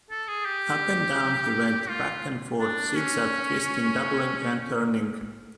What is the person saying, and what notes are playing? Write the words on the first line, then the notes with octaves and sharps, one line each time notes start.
Up and down he went, back and forth — zig-zagging, twisting, doubling and turning.
A4
G#4
G4
F4
D4
C#4